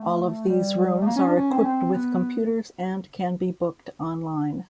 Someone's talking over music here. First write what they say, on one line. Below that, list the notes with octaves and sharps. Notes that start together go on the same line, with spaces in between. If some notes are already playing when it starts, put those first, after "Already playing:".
All of these rooms are equipped with computers and can be booked online.
Already playing: A3
G3
A3
A#3
C#4
D4
C#4
C4
C#4
C4
B3